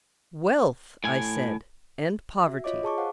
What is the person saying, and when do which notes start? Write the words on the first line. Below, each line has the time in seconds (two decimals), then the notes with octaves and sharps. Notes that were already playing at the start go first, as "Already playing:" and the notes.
Wealth, I said, and poverty.
1.04 A2 G#5
2.45 F#4 E5
2.64 F4 C#5 D#5 D6
2.83 G#4 A5 C#6 D6
2.98 C5 F5 F#5